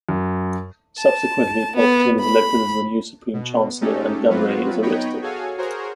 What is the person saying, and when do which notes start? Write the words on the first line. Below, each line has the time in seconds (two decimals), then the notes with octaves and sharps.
Subsequently, Palpatine is elected as the new Supreme Chancellor, and Gunray is arrested.
0.09 F#2
1.00 A5
1.76 B3
2.20 B5
3.34 B2
3.81 G#3 A3 C#4 D#4 G4 A4
4.30 F#3 B3 C4 F4 F#4 B4
4.82 B3 D#4 C#5 D#5 G5 B5
5.22 F#4 G#4 A4 C#5 F5 G#5
5.58 F#4 G#4 A#4 C5 C#5